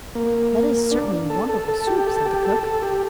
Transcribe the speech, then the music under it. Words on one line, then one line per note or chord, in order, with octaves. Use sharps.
'That is certainly wonderful soup!' said the cook.
A#3
D4
A4
A4
A4
G4
A4
G4
A4
A4
G4